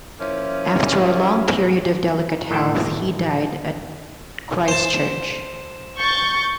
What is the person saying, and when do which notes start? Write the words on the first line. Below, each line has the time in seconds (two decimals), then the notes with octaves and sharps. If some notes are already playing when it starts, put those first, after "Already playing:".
After a long period of delicate health he died at Christ Church.
0.20 F3 A#3 C#4 E4
2.50 A2 D#3 E3 G5 A5
4.68 C5 A5
5.98 C#6 G6 A6